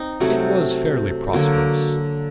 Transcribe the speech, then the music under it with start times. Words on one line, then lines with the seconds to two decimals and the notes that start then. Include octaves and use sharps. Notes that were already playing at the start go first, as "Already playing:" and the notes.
It was fairly prosperous.
Already playing: C4 D#4
0.20 C3 F#3 A3 F#4
1.33 D3 F#3 A#3 F#4